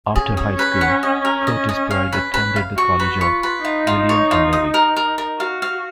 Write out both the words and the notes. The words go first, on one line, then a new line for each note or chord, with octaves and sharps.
After high school, Curtis Pride attended the College of William and Mary.
C#4 G#4
G#4
B4
F#5
D#5
A#4
D#5
D#5
F5
B4
B4
F5
F#4 C#6
B4
F4 C#6
B4
D#4 F4
F4
C#5
F4
D#6
A#4
A#4
A#4
F#4 F5
F5